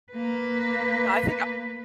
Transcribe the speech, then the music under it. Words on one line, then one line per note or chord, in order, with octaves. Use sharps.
Yeah, I think I
A#3 B4